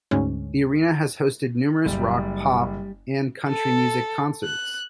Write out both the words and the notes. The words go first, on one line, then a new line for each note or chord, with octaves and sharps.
The arena has hosted numerous rock, pop, and country music concerts.
D2 G#2 C#4
F#1 G3
A4
F#6